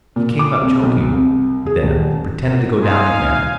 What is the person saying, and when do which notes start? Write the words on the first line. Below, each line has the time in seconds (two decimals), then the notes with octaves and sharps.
He came up choking, then pretended to go down again.
0.16 A#2
0.39 D6
0.61 C2
0.83 B1
1.12 C2
1.66 G#4
1.83 D#1
2.46 B3 C#4 A#4
2.82 D#4 F5 G#5 C6
3.18 D#2 A#2 F6 G#6